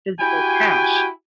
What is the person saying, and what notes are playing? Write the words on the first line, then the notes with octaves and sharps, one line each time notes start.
physical cash
E4 F#4 G4 G5 G#5